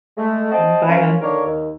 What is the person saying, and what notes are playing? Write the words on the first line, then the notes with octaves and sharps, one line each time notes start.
Um, bye, hon.
G#3 A3
C4 D#5 F#5 G5 A5
C#4 F4 A#4
D3 D#3 A#3 D4 A#4 C#5
D#2